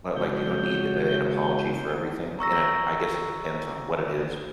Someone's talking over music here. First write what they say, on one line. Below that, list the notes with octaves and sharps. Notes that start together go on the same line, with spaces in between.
Li like, you don't need, eh, an apology for everything? And it I guess it depends on what it is.
C#3 G#3 F#4 C#5 G6
A#5 C#6 E6 A#6